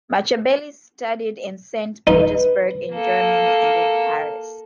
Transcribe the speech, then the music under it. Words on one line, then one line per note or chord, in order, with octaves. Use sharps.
Machabeli studied in Saint Petersburg, in Germany, and in Paris.
D#4 B4
A#3 A4